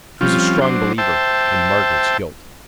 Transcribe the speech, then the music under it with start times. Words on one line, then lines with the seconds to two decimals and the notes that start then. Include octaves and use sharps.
She was a strong believer in Margaret's guilt.
0.21 F3 G3 C4 C#4 F4
0.61 F#3 D4 C5
0.98 C5 E5 G5 A5